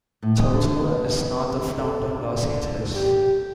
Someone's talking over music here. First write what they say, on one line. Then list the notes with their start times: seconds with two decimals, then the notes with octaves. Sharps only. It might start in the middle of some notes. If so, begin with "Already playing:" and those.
Chowchila is north of Downtown Los Angeles.
0.22 A2
0.40 D#5
0.54 D3
0.81 B3
1.78 A4
2.17 D3
2.94 G4